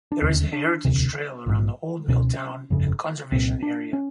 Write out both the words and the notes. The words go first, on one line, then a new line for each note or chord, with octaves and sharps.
There is a heritage trail around the old mill town and conservation area.
D4
E1 D#2 D3 C#4
D4
E1 D2 C3
A#1 G#2
C#2 B2 C#4
G1 F2 C#3
C2 A#2 C4
D4
C#4